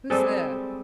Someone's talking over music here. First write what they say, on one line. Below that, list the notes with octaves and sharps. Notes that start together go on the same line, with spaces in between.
Who's there?
G3 G#3 C4 A4